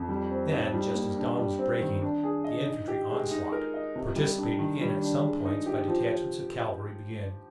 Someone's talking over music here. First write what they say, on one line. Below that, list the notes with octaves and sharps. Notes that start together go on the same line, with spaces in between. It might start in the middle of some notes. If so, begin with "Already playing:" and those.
Then, just as dawn was breaking, the infantry onslaught, participated in at some points by detachments of cavalry, began.
Already playing: F2
G3
C4
D#4
G3
A#3
D4
G3
C4
D#3
D4
G#4
D#5
D#4
G4
G#3
D#4
A#4
D#5
C3
G3
D4
D#3
G3
D4
G#3
D#4
G4
F3